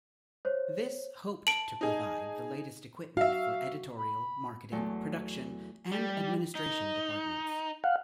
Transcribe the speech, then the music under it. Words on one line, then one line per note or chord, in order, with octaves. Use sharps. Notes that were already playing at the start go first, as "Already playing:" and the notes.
This hoped to provide the latest equipment for editorial, marketing, production and administration departments.
C5 C#5
A5 D7 F#7
D#4 G#4
F#4 E5 F5
B5
E2 F#3 A3
G3
D#4
F5 F#5